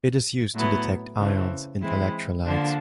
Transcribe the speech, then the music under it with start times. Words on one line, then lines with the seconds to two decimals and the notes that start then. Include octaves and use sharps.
It is used to detect ions in electrolytes.
0.55 A2 F#3 B3 E4
1.18 C#3 E3 A3 C4
1.81 E3 G#3 C4 E4
2.45 D3 F3 A#3 D4